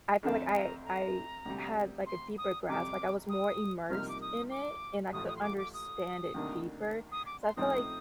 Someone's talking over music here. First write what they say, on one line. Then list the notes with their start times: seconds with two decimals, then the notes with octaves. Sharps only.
I felt like I I had, like, a deeper grasp, like, I was more immersed in it, and I could understand it deeper. So I feel like
0.23 F2 D3 A3 C4 A5
0.49 A5
0.53 A#5
0.84 A#5
1.46 D2 C3 G3
2.06 C6
2.38 D#6
2.68 F2 C3 G3 D6
3.29 D#6
3.90 C2 C3 F3 A#3 D#4 F6
4.08 D6
4.21 D#6
4.51 D6
5.12 A1 A2 F3 D#6
5.28 D#6
5.36 C6
5.42 D6
5.58 D6
5.74 D#6
6.34 D2 C3 D#3 A#3 D4
7.12 D#6
7.26 D6
7.42 C6
7.56 A2 F3 C4 D#4 D#6